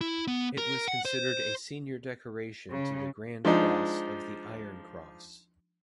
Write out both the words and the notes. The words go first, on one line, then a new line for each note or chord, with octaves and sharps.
It was considered a senior decoration to the Grand Cross of the Iron Cross.
E4
B3
A#4
F#5
C5
C#3
F3 G#3 D4 D#4